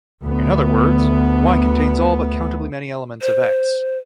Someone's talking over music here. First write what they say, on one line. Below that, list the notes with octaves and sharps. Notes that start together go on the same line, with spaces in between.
In other words, "Y" contains all but countably many elements of "X".
D2 B3
C5